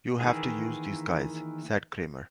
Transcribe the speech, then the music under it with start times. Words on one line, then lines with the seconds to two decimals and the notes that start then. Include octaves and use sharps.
"You have to use these guys," said Cramer.
0.20 D#3 E3 A#3 E4 G#4